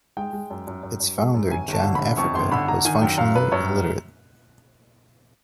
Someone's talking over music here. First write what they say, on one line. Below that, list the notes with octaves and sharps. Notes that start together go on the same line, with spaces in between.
Its founder, John Africa, was functionally illiterate.
G#3 G5
G#3
F#2
F#2
F#2
F#2
G#3
F#2
G1 G#5
G1 A5
D3
B5
G1
F2 C#6
G1 C6
D3 B5
D3 A#5
D#3 G#5
F#2 G5
F#2 F5
F#2 B4
F#2 C#5